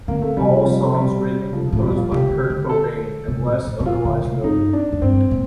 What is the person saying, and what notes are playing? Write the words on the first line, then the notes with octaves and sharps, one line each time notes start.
All songs written and composed by Kurt Cobain unless otherwise noted.
D3 A#3
A3
C3 G3
F3
G3
A3
G3
C3 F3
F3
A2
G3
A#2 F4
C3 G4
D3
D3
A4
C3
A2
A2
A2
A#2 F4
D3
C3
G2 D#4
D4
F2
G2 C4
A#2